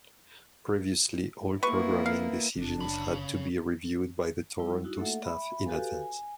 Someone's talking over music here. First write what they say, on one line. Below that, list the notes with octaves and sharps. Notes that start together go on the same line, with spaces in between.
Previously, all programming decisions had to be reviewed by the Toronto staff in advance.
A#3 B3 E4 B4 C#6
F5
F#1 D4
C#3 B5
G3 E4
D#4 E4 F#4
A3 A#3 A4 E5 F#5
E5 B5
F#4 G4 A4 B4 F5 G#5
G#5